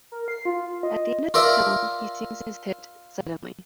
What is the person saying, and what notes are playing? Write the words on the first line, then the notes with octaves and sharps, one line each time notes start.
At the end of the film, he sings his hit Suddenly.
A#4
C7
F4
D#5
F4 A#4 D5 E5